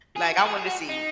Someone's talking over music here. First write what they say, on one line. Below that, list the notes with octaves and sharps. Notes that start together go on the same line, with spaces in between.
Like, I wanted to see
G#4
F#4
F#4
G#4
G#4
F#4
D#4